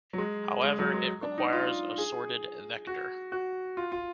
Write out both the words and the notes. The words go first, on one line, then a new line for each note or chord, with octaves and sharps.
However, it requires a sorted vector.
F#3
G#3
G#3
F#3
G#3
D4
D#4
F4
G#4
F#4
F#4
F4
F4